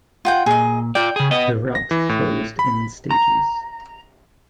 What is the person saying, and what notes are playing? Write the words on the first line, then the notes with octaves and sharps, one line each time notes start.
The route closed in stages.
F4 F#5 G5
A#2 G#4 D#5
F4 D5 G5
C#3 G#4
B3 D#5
A#6
E3
A2
B5
A#5